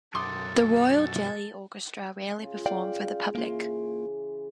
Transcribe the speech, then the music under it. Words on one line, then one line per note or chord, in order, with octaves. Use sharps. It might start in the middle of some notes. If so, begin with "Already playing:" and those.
The Royal Jelly Orchestra rarely perform for the public.
B1 F#2 A4 C6 D6 D#6
C#3 F4
D5 F5 G5
C#3 E3 A#3 F4